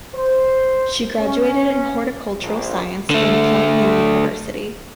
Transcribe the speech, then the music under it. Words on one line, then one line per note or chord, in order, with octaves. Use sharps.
She graduated in Horticultural Science from Kyung Hee University.
C5
C#4
A#1
D3 A3